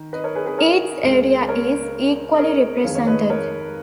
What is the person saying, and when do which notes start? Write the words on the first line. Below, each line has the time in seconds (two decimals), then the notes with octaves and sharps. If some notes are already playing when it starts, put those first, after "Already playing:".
Each area is equally represented.
Already playing: D#3
0.13 B4 D#5
0.24 A#4 C#5
0.35 G#4 B4
0.46 G#4 B4
0.58 A#4 C#5
1.03 C#2 C#3 G#3
1.48 A#4 C#5
2.34 D#5
2.38 A#4 C#5
2.84 F2 D#3 G#3 C#5 F5
2.95 C#5 F5
3.07 B4 D#5
3.30 A#4 C#5